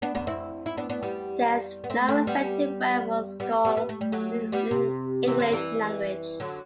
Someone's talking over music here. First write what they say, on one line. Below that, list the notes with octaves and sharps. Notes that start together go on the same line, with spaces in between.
There is no respective word for Schorle in the English language.
B3 D4
B3 D4
C4 E4
E4
B3 D4
B3 D4
G3 B3
B3
A3 C4
A3 C4
G3 B3
G3 B3
G3 B3
B3
A3
G3
F#3 A3
G3 B3
C3
C3 E3
D3 F#3
E3 G3
D3 F#3